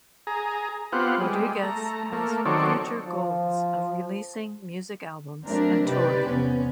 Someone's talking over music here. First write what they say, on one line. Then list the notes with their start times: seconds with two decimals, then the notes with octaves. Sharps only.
Rodriguez has future goals of releasing music albums and touring.
0.27 G#4 A#5
0.92 B3 C4 F4 G4 F#5
1.21 G3 G#3
1.63 A3 A#5
2.13 A3 A#3
2.45 D#3 F#3 C4 A4 C#5 D5
3.07 F3
5.44 F#3 A3 C4 D4 A#4 E5
5.86 C3 C4 D#4 G4 B4 D5
6.26 E2 C3 B3 C#4